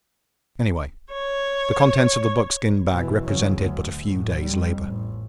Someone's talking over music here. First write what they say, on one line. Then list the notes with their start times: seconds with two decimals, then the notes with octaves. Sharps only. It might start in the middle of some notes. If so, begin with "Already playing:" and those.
Anyway, the contents of the buckskin bag represented but a few days' labor.
1.13 C#5
2.91 B2 E3
3.24 C#3 F#3
3.58 D2
4.05 F#2 A2
4.41 F2 G3
4.83 A1